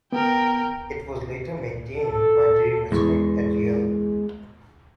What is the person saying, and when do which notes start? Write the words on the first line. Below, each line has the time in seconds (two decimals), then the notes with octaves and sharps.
It was later maintained by Drew Mazurek at Yale.
0.13 B3 A#4 G5
1.98 A4
2.92 E2 G#3 C#6